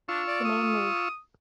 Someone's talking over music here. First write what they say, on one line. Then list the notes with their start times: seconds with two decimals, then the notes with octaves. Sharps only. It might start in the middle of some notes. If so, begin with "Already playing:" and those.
The main move.
0.09 D4 F4 C#6 E6
0.28 D5
0.45 D#6